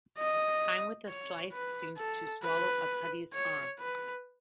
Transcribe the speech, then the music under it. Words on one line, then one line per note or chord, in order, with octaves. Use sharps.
Time with a scythe seems to swallow a putti's arm.
D#5
C#5
B4
A4
B4
C#5
B4